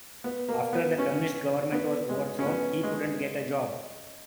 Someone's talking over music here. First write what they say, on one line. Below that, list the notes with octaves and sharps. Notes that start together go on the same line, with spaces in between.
After the Communist government was overthrown he couldn't get a job.
B3
A#3
B3
C#4
B3
G#3
C#4
B3
G#3